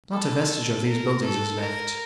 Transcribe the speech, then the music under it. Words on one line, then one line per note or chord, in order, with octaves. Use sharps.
Not a vestige of these buildings is left.
A4
A#4
A4
A#4